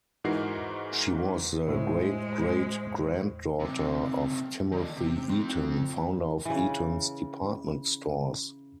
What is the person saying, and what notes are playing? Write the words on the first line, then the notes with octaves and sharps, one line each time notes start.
She was the great-great-granddaughter of Timothy Eaton, founder of Eaton's department stores.
G#2 E3 D#4 F#4 A#4 C7
A2 G#3 C5
F#2 C3
D#3 D5
C3
F3 C4
C#3 E3